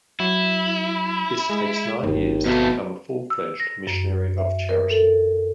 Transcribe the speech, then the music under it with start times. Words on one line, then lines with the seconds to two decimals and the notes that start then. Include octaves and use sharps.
It takes nine years to become a full-fledged Missionary of Charity.
0.20 F#3 E4
1.50 G#3
2.03 G1 D#2
2.45 F2 B2 A3
3.30 E6
3.60 A#6
3.87 F#2
4.38 E5
4.69 A#4
4.91 A4